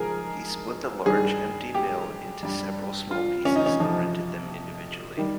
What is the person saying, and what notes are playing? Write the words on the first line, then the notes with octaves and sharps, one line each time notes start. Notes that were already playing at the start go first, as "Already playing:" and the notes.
He split the large, empty mill into several small pieces and rented them individually.
Already playing: G#2 F3 G#3 G#4 A#4
G2 D#3 G3 G#4
G4
G2 G3
F4
C#4
D#4
C#4
F2 C3 F3 D#4
D#3 G3